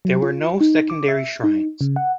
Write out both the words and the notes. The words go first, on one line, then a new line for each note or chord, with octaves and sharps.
There were no secondary shrines.
F#3
F4
D#4
D6
E5
D#4
C#3
F#5